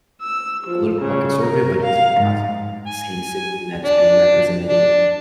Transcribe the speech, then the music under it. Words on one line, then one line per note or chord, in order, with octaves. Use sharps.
a little bit more conservative, but you just might not support the same system that's being represented,
E6
F3
C#3
A#4
F5
G#2
G#5
D4
D4